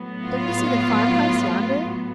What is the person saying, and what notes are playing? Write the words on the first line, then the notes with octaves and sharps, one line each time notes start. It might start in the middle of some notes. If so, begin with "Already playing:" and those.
Don't you see the farm-house yonder?
Already playing: A2 F#3 B3
F4